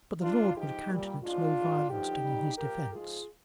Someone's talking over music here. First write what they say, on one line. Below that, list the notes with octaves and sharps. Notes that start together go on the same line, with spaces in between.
But the Lord would countenance no violence done in his defence.
G2 F3 D4 F4
G#2 F3 D#4 G4
A#2 G3
G#2 F3 D4 F4
G#2 D#3 G3
G2 D3 F3 D#4 G4
F2 D#3 G3
A#2 F3 G4 A#4
G#2 F3 F4 G#4